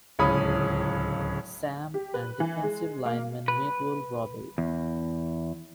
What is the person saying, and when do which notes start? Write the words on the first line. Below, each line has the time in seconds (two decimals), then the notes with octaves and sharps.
Sam and defensive lineman Miguel Robede.
0.19 D1 C#2 C#4 B5 D#6
1.94 G4
2.14 B4
2.40 E3
2.63 G#3
3.06 A#3
3.48 B4
4.58 E2